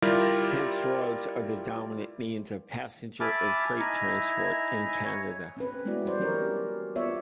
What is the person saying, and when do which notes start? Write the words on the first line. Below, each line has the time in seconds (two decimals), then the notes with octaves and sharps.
Hence roads are the dominant means of passenger and freight transport in Canada.
0.02 G3 E4 F4 G4 A#4 D5
3.20 E5 G#5 A5 B5 D6 F6
3.80 D#4 E4 E5 G#5 A#5
5.05 C#5
5.57 C4 C#4 B4
5.85 G#3 A3 B3 E4 F#4 D5
6.05 G3 C#4 C5 D5
6.19 E3 F#3 C#4 G4 A#4 C#5
6.96 B3 F4 C#5 D5 E5